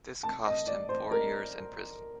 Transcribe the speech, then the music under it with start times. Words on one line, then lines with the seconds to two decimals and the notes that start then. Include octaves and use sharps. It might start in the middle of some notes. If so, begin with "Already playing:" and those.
This cost him four years in prison.
0.23 A5
0.46 D#5
0.67 D5
0.89 C5
1.11 A#4